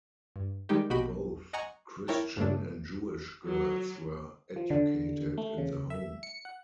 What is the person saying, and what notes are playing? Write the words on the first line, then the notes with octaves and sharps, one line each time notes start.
Both Christian and Jewish girls were educated in the home.
G2
D#3 G3 G#3 D#4 G4
A#1 B2 F#4 G4 D#5 B5
D#5 F#5 G#5 A#5 C#6
E4 A#4 C#5 G5 A5
G2 A#2 C#3 A3 D4
F#3
F3
D3
A3
C#3
E5
C#7
F#5